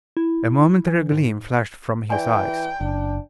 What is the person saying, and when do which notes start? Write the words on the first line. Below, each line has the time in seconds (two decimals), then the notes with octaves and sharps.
A momentary gleam flashed from his eyes.
0.17 E4
0.87 E3
1.12 G#2
2.10 E3 D5 G5 G#5
2.81 F#1 D4